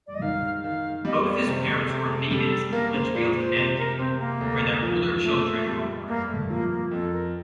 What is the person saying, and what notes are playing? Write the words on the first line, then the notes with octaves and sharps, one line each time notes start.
Both his parents were natives of Litchfield, Connecticut, where their older children were born.
D5
D#5
D#3 F5
D#3 F5
G3 D#5
D5
C3 C5
A4
C3 A4
G3 A4
A#3 A#4
C5
A#2 D5
C5
C3 C5
A#4
C3 C4
A#3
D2
F3
A#2 A3
G3
G2 A#3
A3
F3 A#3
A#3
F2 A4
A#4